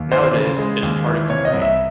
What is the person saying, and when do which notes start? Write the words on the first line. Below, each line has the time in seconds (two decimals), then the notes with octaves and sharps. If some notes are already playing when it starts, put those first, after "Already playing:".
Nowadays, it is part of Ukraine.
Already playing: D#2
0.12 E3 C5
0.35 C#3
0.58 G#3
0.83 D#2
1.06 E3
1.30 C3 C#5
1.45 D#5
1.54 C2
1.62 E5